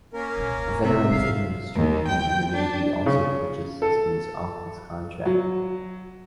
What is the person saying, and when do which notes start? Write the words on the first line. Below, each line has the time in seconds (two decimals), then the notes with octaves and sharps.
The Veterans Administration and the Navy also purchased systems off this contract.
0.13 A#3 C#4 A#4
0.37 D#1 C2
0.84 C3 E5
1.11 G#2 A3 F5
1.75 D#2
2.08 G5
2.52 D4
3.06 C#3
3.82 A4
5.26 F#3